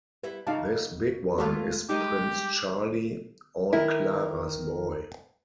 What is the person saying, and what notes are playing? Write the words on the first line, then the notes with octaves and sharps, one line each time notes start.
This big one is Prince Charlie, Aunt Clara's boy.
G3 E4 B4
C#3 D#4 F#4 D5 F5 A5
G#3 A3 F4 F#4 A4
G3 G#3 D#4 G4 D#5
D#3 E4 A#4